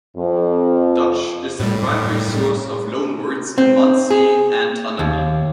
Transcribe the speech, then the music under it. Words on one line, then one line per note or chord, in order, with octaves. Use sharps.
Dutch is the primary source of loan words in Munsee and Unami.
F2
A2 G3
C4
G#4
D#2